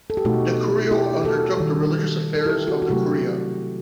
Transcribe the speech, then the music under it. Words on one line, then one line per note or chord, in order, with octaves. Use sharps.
The curio undertook the religious affairs of the curia.
A4
G4
B2 A3 D#4 F#4
E4 G4
F#4 A4
D#3 G3
A4
E4 G4
F#4 A4
F#4
C3 F#3 A3 E4 G4